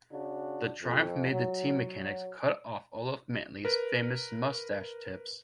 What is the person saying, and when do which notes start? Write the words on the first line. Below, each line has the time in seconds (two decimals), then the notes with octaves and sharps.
The triumph made the team mechanics cut off Olaf Manthey's famous moustache tips.
0.12 C#3 D4 F#4
0.81 F2
1.30 F#3
3.65 A#4 B4